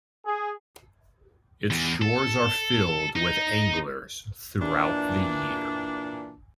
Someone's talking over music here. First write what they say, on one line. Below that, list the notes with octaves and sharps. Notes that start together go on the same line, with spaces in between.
Its shores are filled with anglers throughout the year.
G#4
E2
A4
D#4
A#2 E3 D4